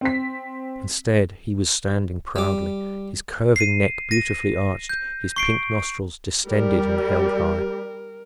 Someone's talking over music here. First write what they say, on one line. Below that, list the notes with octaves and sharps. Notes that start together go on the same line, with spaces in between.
Instead he was standing proudly, his curving neck beautifully arched, his pink nostrils distended and held high.
C4 B6
G3 D6
C7 D#7
A#6 D#7
G6
C#6 C7 D7
G3 A#4